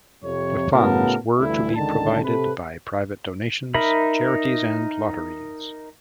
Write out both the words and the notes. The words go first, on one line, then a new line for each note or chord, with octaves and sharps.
The funds were to be provided by private donations, charities and lotteries.
F2 C3 C#5
A2 C#3 B3 F#4 A#4 A5
D2 G2 E3 A3 E4
C#2 D3 D#3 A5
C3 A4 B4
D#4 A#4 E5 B5